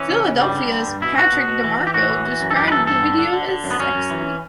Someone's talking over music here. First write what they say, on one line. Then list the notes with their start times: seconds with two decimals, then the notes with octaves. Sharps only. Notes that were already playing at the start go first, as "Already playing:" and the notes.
"Philadelphia"'s Patrick DeMarco described the video as "sexy".
Already playing: E3 C#4
0.09 C#3
0.25 C#3
0.40 G2 G3
0.55 D3
0.71 D3
0.87 G2
1.02 B2 E4
1.17 B2 F#4
1.33 B2
1.48 B2
1.64 E3
1.79 E3
1.87 G4
1.94 A2 F#4
2.10 E3
2.25 E3
2.41 F#2
2.51 A4
2.56 F#2 G4
2.68 B4
2.72 E3 A4
2.87 G2 A4
3.02 D3
3.18 D3
3.33 D3
3.49 D3
3.64 F#2
3.71 B3
3.79 F#2 C#4
3.95 F#2
4.10 E3